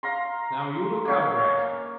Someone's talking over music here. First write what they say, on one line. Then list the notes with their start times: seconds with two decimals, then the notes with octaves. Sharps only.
Now, you look out, Rat!
0.03 F5 A#5 C6
1.05 A#3 C#4